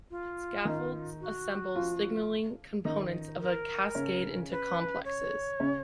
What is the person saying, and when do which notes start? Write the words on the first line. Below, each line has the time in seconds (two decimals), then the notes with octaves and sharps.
Scaffolds assemble signaling components of a cascade into complexes.
0.10 F4
0.65 D#3 D#4
1.21 F#4
1.75 F3 F4
2.85 D#3 D#4
3.40 A#4
3.95 C#3 C#4
4.50 B4
5.05 C#5
5.60 C#3 C#4